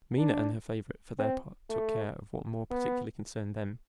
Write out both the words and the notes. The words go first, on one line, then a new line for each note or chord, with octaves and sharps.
Minha and her favorite for their part took care of what more particularly concerned them.
D4
C4
A3
B3